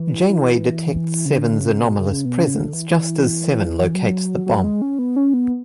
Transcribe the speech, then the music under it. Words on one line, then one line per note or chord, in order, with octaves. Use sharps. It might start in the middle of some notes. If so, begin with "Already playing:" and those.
Janeway detects Seven's anomalous presence just as Seven locates the bomb.
Already playing: E3
F#3
E3
C#3
D3
D3
C#3
B2
C#3
C#3
B2
C#3
D3
E3
E3
F#3
F#3
F#3
G#3
C#4
B3
C#4
B3